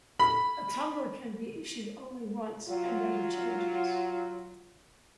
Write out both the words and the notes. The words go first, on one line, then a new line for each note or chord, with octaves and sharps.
A tumbler can be issued only once and never changes.
B5
F#3 F4